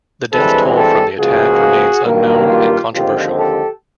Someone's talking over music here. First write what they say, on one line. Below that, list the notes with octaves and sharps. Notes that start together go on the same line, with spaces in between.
The death toll from the attack remains unknown and controversial.
G2 E3 G#3 C4 A4 B4
G4 A4
C#2 C#3 F3 A#3 F#4 G#4
G2 D#3 F#3 A#3
F4 G4
D#2 D3 F3 G#3 C4 F4 G4
G4 A4